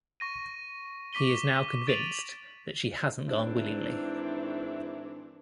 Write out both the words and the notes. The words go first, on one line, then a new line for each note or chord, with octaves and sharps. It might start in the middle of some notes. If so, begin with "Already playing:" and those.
He is now convinced that she hasn't gone willingly.
C#6 A#6 D#7
C#6 D6 B6 D#7 G7
D6 A6 D7 D#7 F7 F#7
G#2 D#3 E3 C4 D4 E4